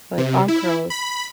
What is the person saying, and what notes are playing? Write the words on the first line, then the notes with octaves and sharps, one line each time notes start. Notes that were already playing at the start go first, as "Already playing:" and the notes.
like arm curls,
C3
E4
B5